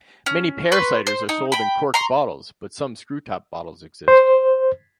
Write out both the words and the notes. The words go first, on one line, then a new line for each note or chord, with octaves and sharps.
Many pear ciders are sold in corked bottles, but some screw-top bottles exist.
C#4
B4 C6 C#6
C5
D#4
G5 B5
A#5 C6 C#6
C5